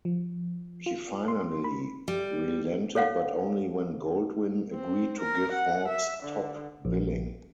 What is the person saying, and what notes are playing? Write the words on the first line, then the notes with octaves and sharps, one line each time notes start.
He finally relented but only when Goldwyn agreed to give Hawks top billing.
F3
F4
C6
B5
G3
A4 C#5 F5 F#5
C4
A#4
F#5
E5
D3
A#1